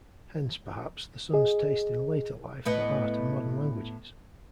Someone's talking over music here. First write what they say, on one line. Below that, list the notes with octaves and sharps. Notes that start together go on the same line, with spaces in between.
Hence, perhaps, the son's taste in later life for art and modern languages.
G#4 D#5
A2 B3 D#5